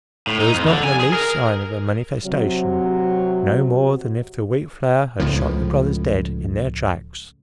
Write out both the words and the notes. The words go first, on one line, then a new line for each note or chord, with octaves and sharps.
There was not the least sign of a "manifestation"--no more than if the wheat-flour had shot the "brothers" dead in their tracks.
A2
D#4
F2
D3
G#5
G#4
A#4
C3 F#3
C#2 A2 F3